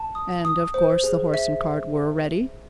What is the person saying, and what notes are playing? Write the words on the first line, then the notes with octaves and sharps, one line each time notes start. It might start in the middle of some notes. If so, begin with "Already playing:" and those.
"And, of course, the horse and cart were ready?"
Already playing: A5
D#6
D#6
C5
G#4
E5
E5